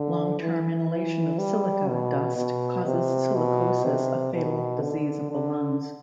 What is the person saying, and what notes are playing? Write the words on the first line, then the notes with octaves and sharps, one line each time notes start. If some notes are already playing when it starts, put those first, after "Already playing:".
Long-term inhalation of silica dust causes silicosis, a fatal disease of the lungs.
Already playing: D3
E3
E3
G3
B2
B2
C3
B2
C3
B2
D3
D3